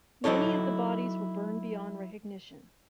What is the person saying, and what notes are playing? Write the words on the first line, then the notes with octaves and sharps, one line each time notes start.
Many of the bodies were burned beyond recognition.
F#3 D#4 E4 A4 C#5